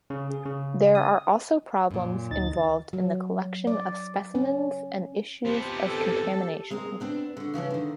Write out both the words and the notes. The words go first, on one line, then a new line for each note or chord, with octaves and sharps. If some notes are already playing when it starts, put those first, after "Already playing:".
There are also problems involved in the collection of specimens and issues of contamination.
C#3
G#4
C#3
D#6
F#2 A#2
D2 D#4 A6
F#3
D5
C#4
F3 B3 C4 G4
A4
G#3 C4 G#4 A#4
B3 C4 D4 D5
D3 F#4
C#3 E3 F3 C#4
D3 D#3